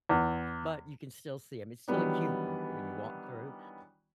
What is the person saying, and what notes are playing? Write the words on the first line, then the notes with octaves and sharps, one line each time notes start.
but you can still see 'em- it's still a cubicle when you walk through-
E2
D#3 E3 F#3 G3 B3 D4